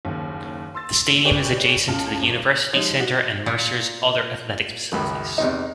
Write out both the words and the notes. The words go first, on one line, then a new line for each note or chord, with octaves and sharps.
The stadium is adjacent to the University Center and Mercer's other athletic facilities.
F#1 D#2
C6 E6 A6
D#2
G4 G#4 B4 C#5 D5 G5
C#2 F#2 A5 F6 C#7
G#1
F3 G#3 D#4 G4 C#5
F#4 G4
A#2
C#2 F#2 D#3
E2 C3 D#4